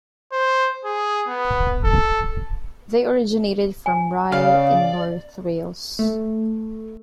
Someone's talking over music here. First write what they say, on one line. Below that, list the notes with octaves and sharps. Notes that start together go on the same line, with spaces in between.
They originated from Rhyl in North Wales.
C5
G#4
B3
A4
G#5
C#3 D5 F5
A3